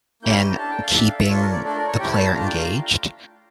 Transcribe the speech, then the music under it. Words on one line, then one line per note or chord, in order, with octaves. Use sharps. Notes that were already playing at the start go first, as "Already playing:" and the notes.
in keeping the player engaged,
A#3 C#4 E4 G4 G6
F6
G6
A#5
D4 A4 A5
G5
F5
D4 A4 E5
F5
E5
D4 F4 A4 C#5
A#4
D5
A3 D4 A4 D5
A#4
C#5
A3 E4 G4 G5
A5
A5
A3 D4 F4 A#5
G5
F5